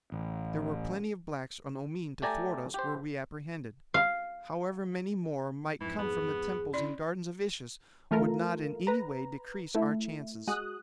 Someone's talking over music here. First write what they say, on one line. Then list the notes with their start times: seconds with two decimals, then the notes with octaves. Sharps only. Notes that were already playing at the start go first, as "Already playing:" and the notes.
There were plenty of blacks on Omean to thwart us were we apprehended; however many more might come from the temples and gardens of Issus would not in any way decrease our chances.
0.12 A1
2.22 A3 G4 D5 G#5 A#5
2.74 G4 C5
3.94 F5
5.81 F2 G#2 E3 E4
5.99 B3 G#4
6.73 C#4 E4 D5 C6
8.11 E3 A3 F4 A4 A#4
8.87 B4 A#5
9.75 A3 E4
10.47 G#3 F#4 D#6 F#6